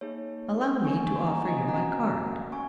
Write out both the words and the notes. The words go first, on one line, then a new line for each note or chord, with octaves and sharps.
"Allow me to offer you my card."
A#3 D#4 G#4 C#5
A#3 D#4 G#4 G#5 C#6
G#5 C#6
F#5 A#5
D#5 G#5
G#5
C#4 F#4 F#5 A#5
C#4 G#5 C#6